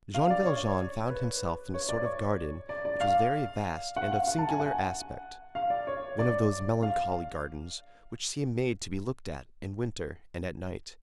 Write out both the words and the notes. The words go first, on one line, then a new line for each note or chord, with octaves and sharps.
Jean Valjean found himself in a sort of garden which was very vast and of singular aspect; one of those melancholy gardens which seem made to be looked at in winter and at night.
F5
D5
C#5
B4
C#5
D5
C#5
D5
D5
F5
F#5
F5
F#5
A5
G#5
F#5
F5
D5
C#5
D5
F5